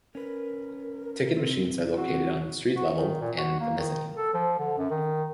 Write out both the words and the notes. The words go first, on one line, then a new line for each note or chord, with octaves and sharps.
Ticket machines are located on street level and the mezzanine.
C#4 A#4 B4
C4
C4 F#4
F#4
D#3
A#2
F#4
A#3
D#3
A4
F3
D3
F#2
D#3